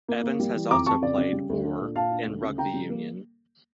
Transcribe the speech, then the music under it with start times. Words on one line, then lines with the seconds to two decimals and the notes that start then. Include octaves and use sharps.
Evans has also played for in rugby union.
0.08 A#3
0.23 A#3
0.40 G3
0.55 E3
0.70 F2 A#5 D6
0.86 F2 A5 C#6
1.02 C#3 D5
1.18 C#3
1.33 G3
1.50 D2
1.64 D4
1.80 A#2
1.96 A#2 F5 A5
2.11 D4
2.27 D2
2.43 C#3
2.58 C#3 G5 A#5
2.74 G3
2.89 A#3